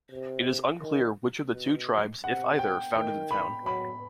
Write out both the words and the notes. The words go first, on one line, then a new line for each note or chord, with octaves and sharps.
It is unclear which of the two tribes, if either, founded the town.
C3
D#3
B2
C3 F#5
G5
D#3 G5
B5
F#3 B5